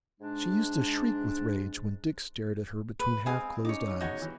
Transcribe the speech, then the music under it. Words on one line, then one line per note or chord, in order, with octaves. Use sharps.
She used to shriek with rage when Dick stared at her between half-closed eyes.
G#2 G#3 D4
B4
G#3 C4 F5 G#5 D#6
C#4 D#4 C#5 D6
E2 D#4 F#4 C#5 F#5
E3